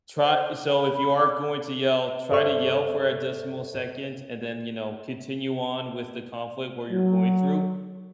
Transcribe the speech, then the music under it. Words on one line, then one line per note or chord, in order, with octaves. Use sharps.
try so, if you are going to yell, try to yell for a decimal second and then, you know, continue on with the conflict where you're going through
C5
B5
D6
G2 A4 C5 D5 E5 C#6
F#3